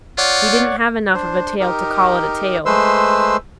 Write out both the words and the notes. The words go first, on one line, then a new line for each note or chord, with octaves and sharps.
He didn't have enough of a tail to call it a tail.
F4 C#5 D5 F#5
D4 C5
D#4 G4 A#4
G#3 A3 B4 C5 C6 E6